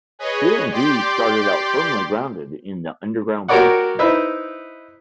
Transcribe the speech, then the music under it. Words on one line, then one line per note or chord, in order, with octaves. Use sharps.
Feeling B started out firmly grounded in the underground punk scene.
G#4 B4 C#5 D#5
G4 D5 G5 C6 D6
F#4 G4 A#4 C#5 D5 F#5
D#4 E4 B4 C5 E5